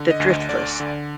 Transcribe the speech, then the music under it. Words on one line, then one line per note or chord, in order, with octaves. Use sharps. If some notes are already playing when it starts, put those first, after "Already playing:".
the Driftless
Already playing: D3
D#5
D2
D#5
D3 D5
D3